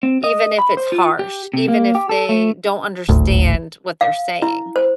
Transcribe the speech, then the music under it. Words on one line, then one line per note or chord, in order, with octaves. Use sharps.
even if it's harsh, even if they don't understand what they're saying.
C4
D#5
B5
C5
F4
G4
C3
A#3
G4
A4
A3
D#1 G#1 D2 A2
F5
E4
C5